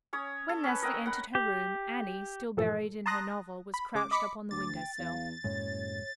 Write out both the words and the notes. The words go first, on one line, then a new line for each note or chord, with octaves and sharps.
When Leslie entered her room, Annie, still buried in her novel, was crouched up on the window-sill.
C#4 C#5 D#6
A4
C#4 B4
A#4 D#5 F#5 G5
F#5 B5
G4
G2 A#2 E3 F3 A4
A5 A#5 C6 D#6 F#6 A#6
B5
C#3 G#3 D6
D#5 B5 D6 B6 C#7
D2 D6 A6
G5
E2 F5
F#1 F#2 A2 G#3 C#5